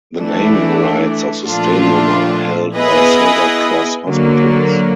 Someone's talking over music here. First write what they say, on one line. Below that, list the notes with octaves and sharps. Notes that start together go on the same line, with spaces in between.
The naming rights of the stadium are held by Silver Cross Hospitals.
E3 A3 D4
A#2 F3 A3 D4 F4
B3 E4 G#4 B4 D#5
D3 F#3 A#3